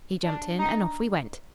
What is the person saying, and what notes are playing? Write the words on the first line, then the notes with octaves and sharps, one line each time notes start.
He jumped in and off we went.
D4
D#4